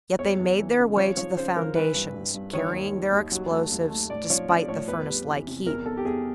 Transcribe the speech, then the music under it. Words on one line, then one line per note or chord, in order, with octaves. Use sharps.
Yet they made their way to the foundations, carrying their explosives, despite the furnace-like heat.
E2 C#5
E2
E3
C#3
F3 C#5
F3 C#5
C#3 C5
F3 A#4
E3 B4
G2
G2
G2
D#3 C#5
D#2
G3
D#2
F#3
A3
D#2
A3
A2 D5
F3 C#5
F3 D5
A2 C#5
E2 B4
G3
E3
C3
E2 A#4
E2 A4
G4
E2 G#4